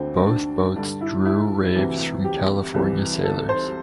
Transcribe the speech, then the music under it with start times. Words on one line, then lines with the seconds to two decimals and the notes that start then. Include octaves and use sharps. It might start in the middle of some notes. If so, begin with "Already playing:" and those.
Both boats drew raves from California sailors.
Already playing: D2 D3 C4
0.26 D4
0.76 G2 D3 D4
1.01 E4
1.25 E4
1.75 D2 C3 E3
2.24 G4
2.74 C2 C3 E3
3.24 A4
3.49 C5